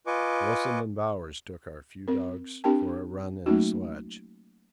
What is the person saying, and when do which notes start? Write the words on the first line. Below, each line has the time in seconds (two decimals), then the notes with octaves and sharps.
Wilson and Bowers took our few dogs for a run in a sledge.
0.07 F4 B4 D#5 G#5 C#6 D6
2.08 C4 A#4
2.64 C4 D4 G4 A#4 G5 A5
3.46 F#3 A3 A#3 C#4 D#4 F#4